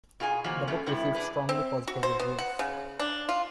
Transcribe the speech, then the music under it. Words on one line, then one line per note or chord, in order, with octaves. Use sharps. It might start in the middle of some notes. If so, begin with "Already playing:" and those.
The book received strongly positive reviews.
B2 F4 G#4 A4 G#5
D#3 F3 F#3 A#3
G#2 B2 A3 C#4
C3 G3 B3 E4
D4 G#4 B4
C4
F#4
C5
B3
F#5
C#3
D4
F4